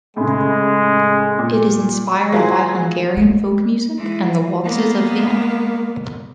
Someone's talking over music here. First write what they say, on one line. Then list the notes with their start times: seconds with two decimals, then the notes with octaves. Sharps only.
It is inspired by Hungarian folk music and the waltzes of Vienna.
0.17 A2 C#3 G#3
1.39 A#2
2.32 F3 F#3 E4 G#4
3.17 G#3
3.97 E3 G#3
4.64 G#3 A#3 B3